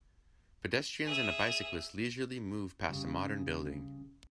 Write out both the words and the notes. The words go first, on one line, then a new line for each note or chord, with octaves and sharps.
Pedestrians and a bicyclist leisurely move past a modern building.
G#4 E5
C#3 G3